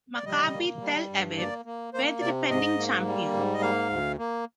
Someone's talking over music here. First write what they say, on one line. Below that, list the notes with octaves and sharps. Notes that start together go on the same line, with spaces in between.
Maccabi Tel Aviv were the defending champions.
D5
G3 D#5
A#3
G3
G2
A#3 D5
A#3
A#3 C5
C3 D5
G#2 D#5
A#3
G3
G#2
D#5
A#3 F5
D2
A#3